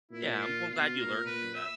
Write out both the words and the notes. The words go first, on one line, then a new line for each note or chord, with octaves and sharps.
Yeah, I'm g glad you learned from that.
A#2 E4
F4
B2 F4
A#2 A#4
A#2 B4
E5